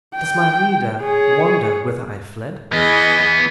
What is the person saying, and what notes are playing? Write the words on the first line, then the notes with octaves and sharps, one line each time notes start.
Does my reader wonder whither I fled?
G5
G#4 C#5
E3 B3 G#4 D#5